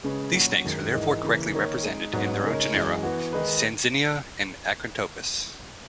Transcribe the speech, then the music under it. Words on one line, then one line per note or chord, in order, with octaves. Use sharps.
These snakes are therefore correctly represented in their own genera: "Sanzinia" and "Acrantophis".
C#3 G#3 C#4 G#4 B4
A#2 F#3 C#4 F#4
F#2 D#3 G#3
G#2 E3 G#3 D#4 A#4
C#3 E3 A#3 C#4
D#3 A#3 D#4 A#4 C#5
G#3 D#4 G#4
G#2 F#3 B3
C#3 G#3 D#4 A#4 C#5
F#2 E3 G#3
E3 B3 F#4
D#3 G#3 D#4 G#4 B4